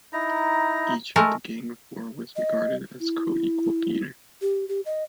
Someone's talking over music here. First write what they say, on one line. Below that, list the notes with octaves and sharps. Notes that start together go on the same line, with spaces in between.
Each of the Gang of Four was regarded as coequal leader.
D#4 E4 A#5
G#3 A3 A#4
D#5
E4
G4
G4
D#5